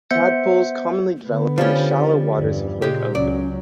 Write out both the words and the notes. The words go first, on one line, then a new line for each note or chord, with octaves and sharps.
Tadpoles commonly develop in the shallow waters of Lake Oku.
B3 C5 E5 G6 C#7
D3 B3
F3 G3 C#4
E2 G2
A#2 C#3 G#3 G4
C#2 F#3 C#4 D5